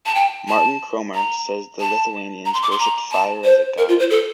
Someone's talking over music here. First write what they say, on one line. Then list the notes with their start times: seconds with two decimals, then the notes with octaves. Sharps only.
Martin Cromer says the the Lithuanians worshipped fire as a god.
0.06 A5
0.15 G5
0.48 A5
1.15 A#5
1.80 A5
2.45 A#5
2.54 C6
2.62 D6
2.71 C6
2.79 A#5
3.12 A5
3.44 C5
3.78 A#4
3.89 F4
3.99 C5
4.10 A4